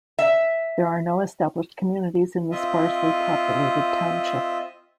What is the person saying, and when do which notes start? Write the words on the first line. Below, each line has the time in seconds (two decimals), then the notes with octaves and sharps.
There are no established communities in the sparsely populated township.
0.19 E5
2.52 C4 F4 D#5 E5